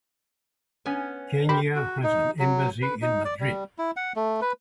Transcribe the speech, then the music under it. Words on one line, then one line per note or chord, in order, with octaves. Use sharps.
Kenya has an embassy in Madrid.
B3 C#4 G#5
G4 A#4 C5 B5
F#4
D#4
F#3
B4
D#4
D5
G3
E4
F#5
A3
B4